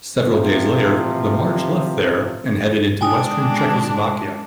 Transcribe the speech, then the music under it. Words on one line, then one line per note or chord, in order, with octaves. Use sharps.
Several days later the march left there and headed into western Czechoslovakia.
A1 C3 F3
G#3 D4 G5 G#5 D#6